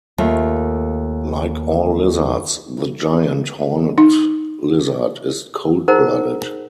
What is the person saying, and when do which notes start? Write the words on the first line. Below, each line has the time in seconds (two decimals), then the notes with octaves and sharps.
Like all lizards, the giant horned lizard is cold-blooded.
0.18 D#2 A3 F4
3.98 D#4
5.88 D#4 G#4 A#4 C5 F#5 A#5